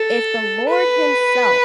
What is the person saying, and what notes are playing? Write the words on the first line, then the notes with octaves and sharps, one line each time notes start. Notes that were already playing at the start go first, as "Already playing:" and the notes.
if the Lord himself
Already playing: A4
B4